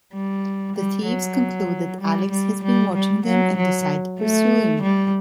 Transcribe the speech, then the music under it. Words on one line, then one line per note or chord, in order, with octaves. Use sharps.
The thieves conclude that Alex has been watching them and decide to pursue him.
G3
G3
F#3
G3
G3
G3
G3
F#3
F#3
A3
G3